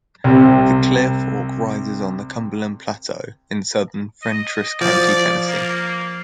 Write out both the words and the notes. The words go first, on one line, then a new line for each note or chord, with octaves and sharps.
The Clear Fork rises on the Cumberland Plateau in southern Fentress County, Tennessee.
C2 C3
D#5
F3 D5
A#3